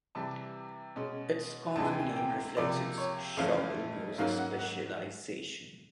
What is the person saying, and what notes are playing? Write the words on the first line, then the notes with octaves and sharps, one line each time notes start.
Its common name reflects its shovel nose specialisation.
C3 E3 G3 A5
B2 G#3 C#4
D2 C3 E3 G#3 A5
G#5
G5
G#5
G5
C#2 C3 F3 A#3 D5
C#5
F2 C#3 E3 A3 C#4 F5
G#2 D#3 F#3 A#3 C#4 F5
F#5
F#5